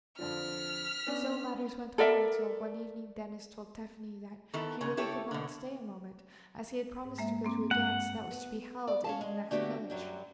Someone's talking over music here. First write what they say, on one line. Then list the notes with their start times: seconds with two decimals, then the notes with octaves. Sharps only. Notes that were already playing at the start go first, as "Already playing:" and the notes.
So matters went on till one evening Denis told Tephany that he really could not stay a moment, as he had promised to go to a dance that was to be held in the next village.
0.19 F2 D3 F3 F6 B6
1.07 B3 C#4 D4
1.98 A4 A#4 D5 E5
4.53 D#3 B3 E4 A4
4.81 G#2 C#3 C#4
4.97 E4 G4 A4 C#5
5.31 B2 D3
7.04 G#2
7.18 G#3 A#3 E5
7.44 A#3 C4 D6
7.71 G2 G#3 F#5
8.31 B3
8.88 D5
9.04 C#4 F5 A5
9.21 G#3
9.51 D3 A3 B3 D4 F#4 G4
9.90 F#2 F#3 G3